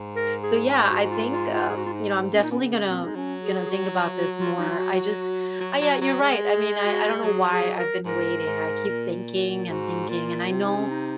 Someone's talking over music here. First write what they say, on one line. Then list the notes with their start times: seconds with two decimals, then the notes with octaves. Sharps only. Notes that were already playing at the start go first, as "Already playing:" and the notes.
so, yeah, I think, um, you know, I'm definitely gonna gonna think about this more. I just I yeah, you're right, I mean, I I don't know why I've been waiting. I keep thinking and thinking and I know.
Already playing: G#2
0.16 A#4
0.43 G#4
0.91 F#4
1.02 F#4
1.11 F4
1.32 F4
1.51 F4
1.69 G#4
1.77 F#4
1.86 F4
1.93 D#4
2.33 A#2 C#4
2.43 D#4
2.51 C#4
2.60 C#3
2.88 A#2 C4
3.04 G#3 D#4
3.15 F#3 C#4
3.43 G#4
3.66 G#4
3.70 F#4
3.98 F#4
4.17 F#4
4.38 F4
4.59 D#4
4.70 F4
4.79 F#4
5.60 F#3
5.81 F#3
6.01 F#3
6.21 G#3
6.43 G#4
6.83 F#4
7.23 F#3 G#4
7.52 G#4
7.79 A#4
8.05 G#2 A#4
8.47 G#2
8.87 A#2
9.69 G#2 F#4
10.00 F#4
10.09 A#2 F4
10.50 C3 F4
10.64 D#4
10.77 C#4
10.90 D#4